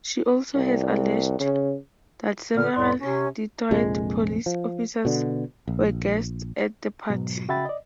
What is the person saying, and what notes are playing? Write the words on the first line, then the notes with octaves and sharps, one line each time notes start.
She also has alleged that several Detroit police officers were guests at the party.
C2
C#3
A#2 D3 B3 F6
C2 F2 A2 D5 C6
C3 C#4
A#1 F2 C3 G#3
F3
B2 D3
A#1
G#2 B2 F#3
C#3 F#4 E5 G5 B5 A6
D5 D#5